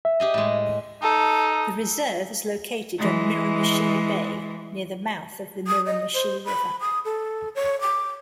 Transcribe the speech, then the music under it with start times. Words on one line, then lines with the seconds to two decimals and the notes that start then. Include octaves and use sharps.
The reserve is located on Miramichi Bay, near the mouth of the Miramichi River.
0.05 E5
0.20 G4 G#4 D#5
0.34 A2 G#3
1.02 D#4 A4
2.98 E3 G#3
5.67 D#6
5.86 D#5
6.14 C5
6.45 B5
6.81 D#6
7.05 A4
7.55 C#5
7.81 D6